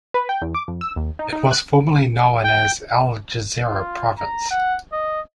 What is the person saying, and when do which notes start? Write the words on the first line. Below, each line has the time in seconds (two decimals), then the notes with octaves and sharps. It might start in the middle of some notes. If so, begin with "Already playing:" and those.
It was formerly known as Al-Jazira province.
0.14 B4
0.29 G5
0.42 E2
0.55 D6
0.68 F2
0.81 E6
0.96 D#2
1.19 D#4
1.33 D#4
1.51 F#6
2.44 G5
3.64 F4
4.18 A#5
4.51 F#5
4.93 D#5